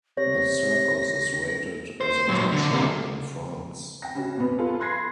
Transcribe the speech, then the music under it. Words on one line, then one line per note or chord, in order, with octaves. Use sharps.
The circus is rated as a top show in France.
C3 C#5 A#6
C5
A#2 F#3
D3
C3 A#3
G5 A#6
C#3 C#4 F#4
E2 B2 B3
F4 G#4 A4 B4
B5 C6 F#6 G#6 A#6 C7